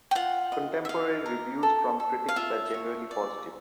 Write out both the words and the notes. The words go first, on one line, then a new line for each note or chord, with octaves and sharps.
Contemporary reviews from critics were generally positive.
G5
F4 F#5
D#5
E5
D#5 F5
A#4
A4
A4
F5
F4 E5
C#5
D5